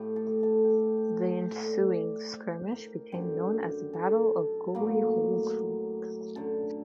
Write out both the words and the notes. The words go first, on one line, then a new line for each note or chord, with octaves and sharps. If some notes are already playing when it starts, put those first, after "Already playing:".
The ensuing skirmish became known as the Battle of Gully Hole Creek.
Already playing: A2 A3 G4
A4
A4
G4
A4
C5
C5
A2 A3 D5
C5
D5
C5
A#4
F#2 D3 F#3 G4
A4
A2 F#3 A#3
F#2 D3 F#3 A4